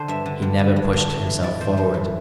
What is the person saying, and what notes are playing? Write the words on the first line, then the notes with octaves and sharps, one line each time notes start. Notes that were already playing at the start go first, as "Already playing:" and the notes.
He never pushed himself forward.
Already playing: D3 A4 C5
G2 E5
D3
G2
D3
G2
D3
A2
E3
A2 D5
E3 C5
A2 C5
E3